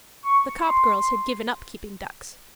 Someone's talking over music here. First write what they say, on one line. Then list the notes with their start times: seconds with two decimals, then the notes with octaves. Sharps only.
The Copp girls had given up keeping ducks . . .
0.25 C#6
0.68 C6